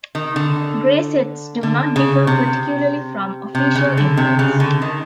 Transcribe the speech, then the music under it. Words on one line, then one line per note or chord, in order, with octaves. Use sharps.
Grey sets do not differ particularly from official imports.
D#3
D3
D3
C#3
C3
C3
C#3
D3
C3
C#3
D3
D#3